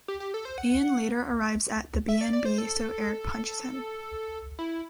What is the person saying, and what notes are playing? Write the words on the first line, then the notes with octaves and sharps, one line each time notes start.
Ian later arrives at the B and B so Eric punches him.
G4
G4
A4
C5
F#5
E5
D5
D5
C5
A4
E4